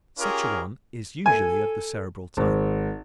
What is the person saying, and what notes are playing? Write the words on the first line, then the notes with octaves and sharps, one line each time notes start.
Such a one is usually of the Cerebral type.
C#4 F4 G4 G#4 A#4
A4 G#5
G#1